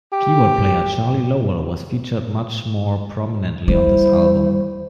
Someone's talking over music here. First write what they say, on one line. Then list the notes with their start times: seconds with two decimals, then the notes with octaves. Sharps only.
Keyboard player Charlie Lowell was featured much more prominently on this album.
0.12 G4
3.68 G3 A#3 E4 C5